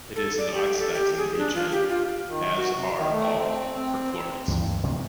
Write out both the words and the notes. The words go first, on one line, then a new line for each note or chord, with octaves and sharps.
It is an oxidizing agent, as are all perchlorates.
A4
D5
G4
A4
G4
G#4
D4
F4
G4
F4
D#3
F#4
C3
D#3
A3
C4
C4
D2 G2 E3 G#3
C3 F3 G#3 A#3